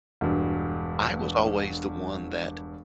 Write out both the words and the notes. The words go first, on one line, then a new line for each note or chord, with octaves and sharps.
I was always the one that
E1 G2